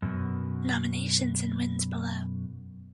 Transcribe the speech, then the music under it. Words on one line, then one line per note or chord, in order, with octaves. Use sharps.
Nominations and wins below.
F#2 B2